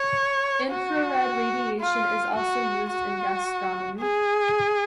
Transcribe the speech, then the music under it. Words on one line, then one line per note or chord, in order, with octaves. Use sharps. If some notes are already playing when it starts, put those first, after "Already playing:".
Infrared radiation is also used in gastronomy.
Already playing: C#5
F#4
F4
F#4
F#4
G#4